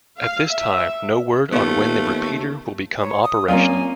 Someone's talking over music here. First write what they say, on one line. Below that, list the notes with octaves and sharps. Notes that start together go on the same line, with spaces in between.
At this time, no word on when the repeater will become operational.
F5
E5
D#2 A3 B3 F4
C#5
D#6
F#3 A#3 C4 C#4 F4 G#5